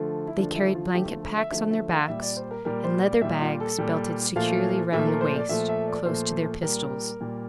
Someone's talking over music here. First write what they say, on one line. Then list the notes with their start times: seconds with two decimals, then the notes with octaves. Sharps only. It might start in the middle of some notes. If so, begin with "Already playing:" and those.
They carried blanket packs on their backs and leather bags belted securely round the waist close to their pistols.
Already playing: D3 F3 A3
0.27 E4
0.38 D3 F3 A3 D4
0.56 E4
0.75 F4
0.94 D3 F3 A3 G4
1.09 F4
1.23 A4
1.38 E5
1.51 D3 F3 A3 E5
1.71 E5
1.90 F5
2.08 A#2 G3 E5
2.22 D5
2.37 C5
2.51 A#4
2.65 A#2 G3 A#4
2.84 C5
3.03 D5
3.21 A#2 G3 E5
3.41 F4
3.60 A4
3.78 A#2 G3
4.36 A#2 F3 A3 F5
4.92 A#2 F3 A3 E5
5.07 A#4
5.21 C5
5.35 D5
5.49 A#2 F3 A3 E5
5.69 E5
5.87 D5
6.06 A#2 F3 A3 C5
6.63 A#2 G3 A#4
7.21 A#2 G3